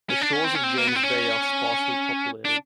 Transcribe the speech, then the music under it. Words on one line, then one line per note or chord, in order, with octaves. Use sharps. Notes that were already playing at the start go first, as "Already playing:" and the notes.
The shores of James Bay are sparsely populated.
C#4
D4
C#4
C4
C#4
C4
A#3
B3
C4
C#4
D4